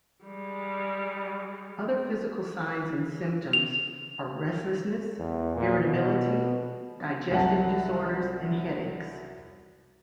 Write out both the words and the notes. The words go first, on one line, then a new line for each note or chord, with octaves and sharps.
Other physical signs and symptoms are restlessness, irritability, digestive disorders, and headaches.
G3 G#3
F7
E2
A#2
B2
C2 F#3 F#5 A5